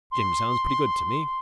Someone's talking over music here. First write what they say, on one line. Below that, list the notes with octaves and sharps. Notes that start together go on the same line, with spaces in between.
Jim sounds pretty good to me.
C6